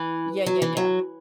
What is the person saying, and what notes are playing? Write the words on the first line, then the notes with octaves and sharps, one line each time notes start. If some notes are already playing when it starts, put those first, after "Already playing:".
Yeah, yeah, yeah.
Already playing: E3
F#3
E3
F#3